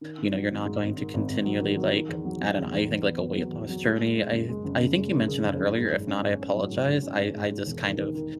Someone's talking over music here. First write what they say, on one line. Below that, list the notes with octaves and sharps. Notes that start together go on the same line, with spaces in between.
You know, you're not going to continually, like I don't know, I think, like, a weight loss journey. I th I think you mentioned that earlier, if not, I apologize. I I just kind of
D#3
D#3
F#3
G#1
G#2
G#1
D#3
G#1
G#1
F#3
D#3
F#3
D#3
E2
F#3
F#3
E2
E2
E2
B3
B3
F#3
E2
F#3
G#3
G#3
G#3
F#1
G#3
F#1
C#3
G#3
F#2
C#3
F#1
F#1
G#2
G#2
C#4
G#2
C#4
F#3
G#2
G#2
C#4
G#2
G#2
G#2
E1
D#3
D#3
D#3